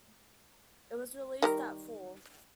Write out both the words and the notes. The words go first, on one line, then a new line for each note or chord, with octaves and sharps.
It was released that fall.
D#3 G3 A#4